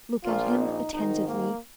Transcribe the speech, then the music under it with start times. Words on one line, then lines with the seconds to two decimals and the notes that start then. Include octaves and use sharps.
Look at him attentively.
0.24 A#1 A#2 F4
0.59 D#4
0.93 G#1 G#2 D#3 D#4
1.27 A#3